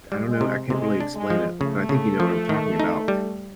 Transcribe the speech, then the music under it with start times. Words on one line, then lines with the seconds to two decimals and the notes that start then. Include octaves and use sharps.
I don't know, I can't really explain it, but I think you know what I'm talking about.
0.12 G3
0.26 G#3
0.41 C3
0.70 C3 G#3
1.00 D4
1.15 G#3
1.30 F3
1.61 C#3 A3
1.89 C#3
2.20 F3
2.49 D#3
2.79 D#4
3.08 G3